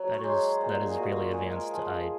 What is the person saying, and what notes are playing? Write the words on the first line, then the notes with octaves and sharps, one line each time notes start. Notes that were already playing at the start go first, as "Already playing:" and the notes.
That is that is really advanced I
Already playing: F#3
C#5
G#3 C5
A#2
G#4
G#3 F#4
F4
G#3 G#4
A#4
F3 G#4